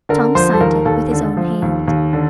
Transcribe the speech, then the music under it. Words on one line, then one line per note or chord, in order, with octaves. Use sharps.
Tom signed it with his own hand.
D3 A#4
F3 C5
A4
D#2 A#4
D#2 A4
D3
F3
D#2
D#2
D3